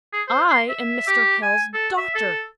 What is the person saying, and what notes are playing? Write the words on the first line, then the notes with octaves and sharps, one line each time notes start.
'I am Mr. Hale's daughter.
G#4
C5
C6
E5
G4
G#5
A4
E5
A4